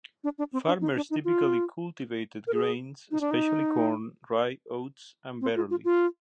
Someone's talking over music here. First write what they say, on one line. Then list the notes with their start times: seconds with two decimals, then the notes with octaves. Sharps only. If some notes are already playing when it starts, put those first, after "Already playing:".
Farmers typically cultivated grains, especially corn, rye, oats, and barley.
0.24 D4
0.38 D4
0.53 C4
0.67 D4
0.81 D#4
0.96 D4
1.10 D#4
1.25 F4
2.47 A#4
2.54 G#4
3.11 D#4
3.21 D4
3.31 D#4
5.41 C4
5.56 F4
5.70 F4
5.84 F4